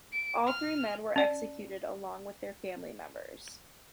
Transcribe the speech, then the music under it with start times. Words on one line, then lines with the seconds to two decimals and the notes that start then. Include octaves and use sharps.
All three men were executed along with their family members.
0.12 D7
0.46 F6
1.16 C#4 D5